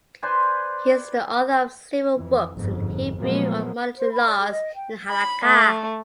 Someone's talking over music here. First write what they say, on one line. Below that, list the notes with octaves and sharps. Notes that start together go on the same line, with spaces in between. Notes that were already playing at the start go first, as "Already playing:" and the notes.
He is the author of several books in Hebrew on monetary laws in "halakha".
B4 C5 D5 G#5
F2 E3
G1 F2 G#2
A#2 F3 F#3 G#3 A#3 B3
C5
B5
D5
G#4
D#5
G5
B5
A3